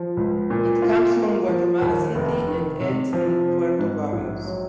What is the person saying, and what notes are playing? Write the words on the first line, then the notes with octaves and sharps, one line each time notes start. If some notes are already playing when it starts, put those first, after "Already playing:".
It comes from Guatemala City and ends end Puerto Barrios.
Already playing: F3
C#2
A#2
F4
A#3
F3
D#2
F1
D#3
C3
F3
C4
G#2
A#1
F#3